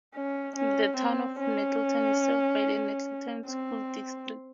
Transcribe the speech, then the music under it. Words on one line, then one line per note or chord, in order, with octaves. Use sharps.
The Town of Nettleton is served by the Nettleton School District.
C#4
C#4
C4
C#4
C4